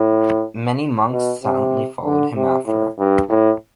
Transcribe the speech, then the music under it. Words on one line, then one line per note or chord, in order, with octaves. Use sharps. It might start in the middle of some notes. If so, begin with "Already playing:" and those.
Many monks silently followed him after.
Already playing: A2
B2
C3
D3
C3
A2
G2
A2